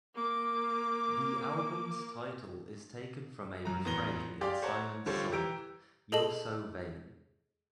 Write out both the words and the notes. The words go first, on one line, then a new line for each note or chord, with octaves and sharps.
The album's title is taken from a refrain in Simon's song You're So Vain.
A#3 D6
F#2 F#3 A#5
A1 E2 B3 A#5 A#6 G7
G4 G#4 D5 F5 C6 D6
C5 C#5 F#5 A5 A#5
D3 G3 F4 A4 C5 C#5
E3 G4 A#5 E6 G6 D7
G#4 A4 D#5 A5 F#7